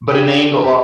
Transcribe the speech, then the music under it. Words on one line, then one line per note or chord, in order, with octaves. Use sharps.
but an angle of
D4 G4
G4